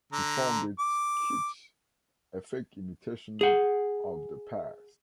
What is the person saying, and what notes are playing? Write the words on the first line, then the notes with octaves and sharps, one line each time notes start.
He found it "kitsch, a fake imitation of the past".
D3 A#5
D6
G#4 F#5